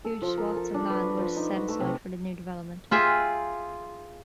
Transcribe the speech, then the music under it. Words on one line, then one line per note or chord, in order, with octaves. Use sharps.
Huge swathes of land were set aside for the new development.
A4
F3
A#4
A4
D4
B4
F#4
F3
D#4
F#4
A3
C3
F4 G#4 E5 G5